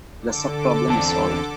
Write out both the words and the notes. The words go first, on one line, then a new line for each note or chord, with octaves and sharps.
The subproblem is solved.
D3 A4 D6
E2 C4 A5